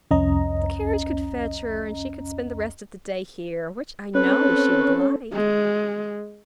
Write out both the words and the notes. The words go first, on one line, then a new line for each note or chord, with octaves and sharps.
The carriage could fetch her, and she could spend the rest of the day here, which I know she would like.'
C2 F2 C#4 D#5 A#5
C4 C#4 A4 B4
G#3